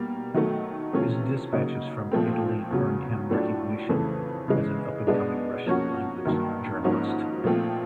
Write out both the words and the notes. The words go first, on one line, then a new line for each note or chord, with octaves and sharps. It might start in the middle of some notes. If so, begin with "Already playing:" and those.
His dispatches from Italy earned him recognition as an up-and-coming Russian-language journalist.
Already playing: B2 G3 A#3
D#3 F#3 A3
C3 E3 A3 C#4 F4
C#3 F#3 A#3 D#4
A#2 F3 A3 C4
E2 C#3 F#3
A2 F#3 A3 D4 F4
F2 C#3 E3 A3
C#3 E3 G#3
B2 G#3 B3 D4
F3 A#3 C#4 F#4
G2 D#3 F#3 A#3
G#2 F3 A#3 C#4 F#4
A#2 F3 A3 C4 F4